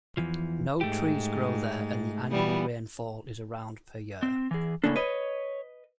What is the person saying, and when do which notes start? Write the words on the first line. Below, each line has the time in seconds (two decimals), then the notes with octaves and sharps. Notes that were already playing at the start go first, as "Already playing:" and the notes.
No trees grow there and the annual rainfall is around per year.
0.17 E2 E3 F3
0.81 G#2 A3 G4
2.31 E3 G3 B3
4.23 C4
4.51 E3 G#4
4.84 A2 C#3 A#3 D4 A4
4.96 B4 C#5 D#5